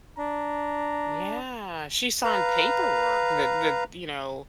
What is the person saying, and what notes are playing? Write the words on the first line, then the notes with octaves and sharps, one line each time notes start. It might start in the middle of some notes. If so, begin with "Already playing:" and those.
Yeah, she signed paperwork that that, you know,
D4 A#5
B4 F5 A#5